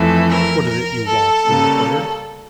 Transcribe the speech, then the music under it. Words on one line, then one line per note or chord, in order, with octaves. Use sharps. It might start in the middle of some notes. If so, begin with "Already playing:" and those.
"What is it you want?" he inquired.
Already playing: F2 E3 A3
A#4
A#4
A4
C#3 G3 A#3